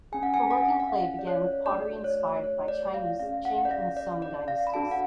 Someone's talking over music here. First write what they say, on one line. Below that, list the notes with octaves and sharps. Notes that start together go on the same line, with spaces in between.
Her work in clay began with pottery inspired by Chinese Qing and Song dynasties.
C#4 G#4 G#5
F#5
G#5
F#5
F#5
F5
D5
C#5
A3 D4 F#4 D5
C#5
C#5
D5
F5
C#4 G#4 F5
F#5
D5
F5
D5
D5
F5
B5
D4 F#4 A4 A5
F#5